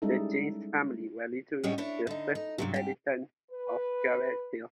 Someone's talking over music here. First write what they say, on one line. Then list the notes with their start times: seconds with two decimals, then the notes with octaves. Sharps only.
The James family were literally the first inhabitants of Garrett Hill.
0.02 G3 G#3 C#4 D#4 E4 A4
1.63 F#2 A2 G3 C#5 D#5
1.78 D4 E4 C#5
2.07 D3 D#4
2.35 D#4
2.58 G2 C3 F#3
2.74 G#2 G4
3.51 B4